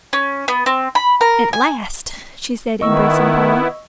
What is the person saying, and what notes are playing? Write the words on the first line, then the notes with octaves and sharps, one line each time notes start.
"At last," she said, embracing Paula.
C#4
B3
C4
B5
A#4
G#5
D#3 B3 E4 D#5 C#6 E6